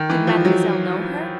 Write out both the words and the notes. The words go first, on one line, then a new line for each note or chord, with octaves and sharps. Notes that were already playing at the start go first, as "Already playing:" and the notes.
Did mademoiselle know her?
Already playing: D#3
E3
F3
F#3